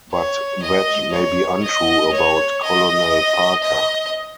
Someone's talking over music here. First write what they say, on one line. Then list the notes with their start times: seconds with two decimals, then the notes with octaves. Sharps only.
But that may be untrue about Colonel Parker.
0.12 C#5
0.62 D#5
1.12 C#5
1.63 D#5
2.13 C#5
2.63 D#5
3.63 D#5